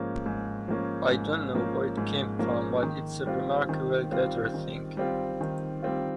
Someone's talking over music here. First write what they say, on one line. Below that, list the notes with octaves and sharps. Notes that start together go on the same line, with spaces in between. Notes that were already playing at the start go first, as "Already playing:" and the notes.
I don't know where it came from but it's a remarkable guitar thing.
Already playing: G#2 F3 A#3 C#4
G#2
F3 A#3 C#4
G#2
F3 A#3 C#4
G#2
F3 A#3 C#4
D#3
G3 C4 F4
D#3
G3 C4 F4
D#3
G3 C4 F4
D#3
G3 C4 F4